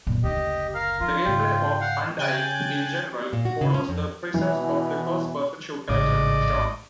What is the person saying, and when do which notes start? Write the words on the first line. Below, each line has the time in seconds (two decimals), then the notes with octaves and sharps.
The gameplay of "Undying" in general follows the precepts of the first-person shooter genre.
0.07 F#2 A#2
0.24 F#1 D2 G4 D#5
0.75 A#4 F5
1.01 F3 F4
1.26 G#2 C#3 G5
1.81 F5 F#5
2.18 C#3 G5 G#5 F#6 A6
3.33 A#2
3.45 F#4
3.61 C#3
3.74 C#4
3.89 F2
4.34 B2 E3
5.89 A1 G#2 C#3 D5 D#5